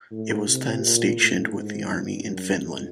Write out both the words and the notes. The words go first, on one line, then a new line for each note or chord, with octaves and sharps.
It was then stationed with the army in Finland.
A2
C3
A#2
A2
G#2
G2
F#2
F2